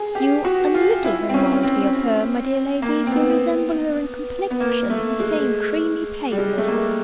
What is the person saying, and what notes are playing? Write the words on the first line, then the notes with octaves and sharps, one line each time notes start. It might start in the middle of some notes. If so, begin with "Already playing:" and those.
You a little remind me of her, my dear lady--you resemble her in complexion: the same creamy paleness.
Already playing: G#4
G4
F#4
F4
E4
C4
C#4
C#4
C4
A#3
C4
B3
B3
A#3
A3
G#3
G3
G#3
A3
A#3